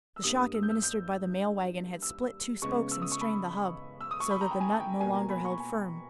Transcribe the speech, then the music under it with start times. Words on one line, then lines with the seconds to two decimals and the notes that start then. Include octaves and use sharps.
The shock administered by the mail-wagon had split two spokes and strained the hub, so that the nut no longer held firm.
0.16 E6
0.23 G2 G3 A#3 D#6
0.54 E6
0.63 G6
0.70 E6
0.83 G6
2.02 E6
2.62 C#3 G#3 B3 C#6
2.91 E6
3.02 D#6
3.12 C#6
3.21 B5
4.01 E6
4.11 D#6
4.20 C#6
4.31 B5
4.41 A#5
4.51 G5
4.60 G#5
4.80 G5
5.00 B2 A#3 G#5
5.15 A#5
5.30 B5
5.45 C#6
5.60 G#5